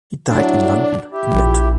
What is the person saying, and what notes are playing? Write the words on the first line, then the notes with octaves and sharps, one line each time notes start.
He died in London, England.
A2 F#3 D4
E4 G4
A#1